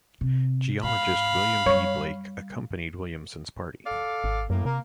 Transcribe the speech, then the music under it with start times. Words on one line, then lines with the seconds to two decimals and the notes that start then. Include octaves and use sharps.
Geologist William P. Blake accompanied Williamson's party.
0.21 C3
0.83 G#2 F5 B5
1.66 F#2 G3 C#5
3.86 A4 D5 F5
4.24 G#1
4.50 F#2 A2 A#3
4.65 C3 A#3